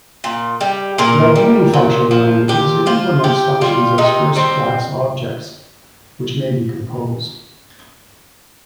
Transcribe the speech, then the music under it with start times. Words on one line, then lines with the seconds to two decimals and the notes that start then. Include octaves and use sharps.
Like many functional languages, it implements functions as first-class objects, which may be composed.
0.24 A#2
0.61 G3
0.98 A#2 A#4
1.36 G3
1.74 A#2
2.11 F3
2.48 A#2 G4
2.86 F3 F4
3.23 C3 G4
3.61 G3 F4
3.98 C3 D#4
4.36 G3 C4